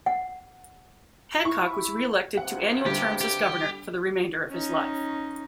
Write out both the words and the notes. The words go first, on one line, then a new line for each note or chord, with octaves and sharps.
Hancock was reelected to annual terms as governor for the remainder of his life.
F#5
E4 C#6
D2 G2 C3 F#5
D3 G3 G4
G4
C#4 D#4